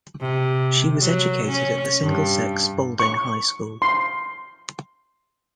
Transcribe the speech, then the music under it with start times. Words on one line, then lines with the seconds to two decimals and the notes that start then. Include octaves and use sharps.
She was educated at the single-sex Spalding High School.
0.21 C3
1.02 F#3
1.47 C#4
2.02 G2
2.99 C#6
3.82 C6